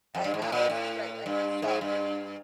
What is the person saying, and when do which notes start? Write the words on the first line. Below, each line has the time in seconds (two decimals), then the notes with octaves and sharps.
I know, this is great, right? So,
0.15 F2
0.24 G2
0.34 G#2
0.42 A2
0.52 A#2
0.70 A2
1.26 G2
1.62 G#2
1.81 G2